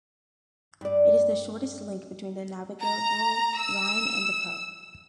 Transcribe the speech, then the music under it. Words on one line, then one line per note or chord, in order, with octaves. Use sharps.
It is the shortest link between the navigable Rhine and the Po.
G2 D5
A#5
E6